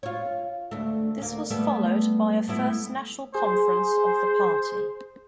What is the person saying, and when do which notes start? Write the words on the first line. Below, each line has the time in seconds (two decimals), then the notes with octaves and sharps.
This was followed by a First National Conference of the party.
0.03 F4 C#5
0.71 D2 A3
1.18 D2 A#3
1.50 G3 A3 B3
2.48 A3 B3 E4
3.35 G#4 C5